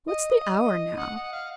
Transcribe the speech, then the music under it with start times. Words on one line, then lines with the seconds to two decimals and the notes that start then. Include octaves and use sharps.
What's the hour now?
0.08 D#5
0.30 D#5
0.98 F#5
1.16 F#5
1.33 F5